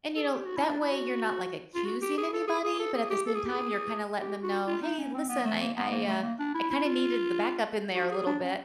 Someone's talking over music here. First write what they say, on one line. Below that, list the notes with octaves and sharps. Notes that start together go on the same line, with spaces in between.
And, you know, that way you're not, like, accusing anybody but at the same time you're kinda letting them know, "Hey, listen, I I, uh, I kinda needed the backup in there a little bit."
A4
G#4
G4
F#4
E4
D4
E4
F#4
F4
F#4
G4
G#4
A4
G#4
G#4
A4
G#4
G4
A4
G#4
G4
G#4
G4
F#4
F4
D#4
C#4
C4
B3
A3
A#3
B3
A#3
A3
A#3
D4
E4
E4
F4
F#4
G#4
D4
C#4